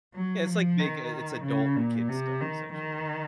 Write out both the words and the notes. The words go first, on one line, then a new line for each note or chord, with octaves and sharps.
Yeah, it's like big i it's adult kid stuff, essentially.
F#3
F3
D#3
C#3
A#2
C3
D#3
D#3